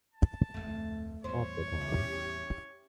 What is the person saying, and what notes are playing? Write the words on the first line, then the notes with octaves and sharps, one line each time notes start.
At the time.
A5
D1 G1 F2 A3
E2 A2 G3 C5 C#5
C#4 E4 G4